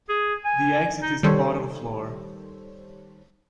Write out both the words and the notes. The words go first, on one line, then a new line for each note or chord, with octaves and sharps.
The exit is the bottom floor.
G#4
G#5
D#4
D#3 G3 A4 C5 C#5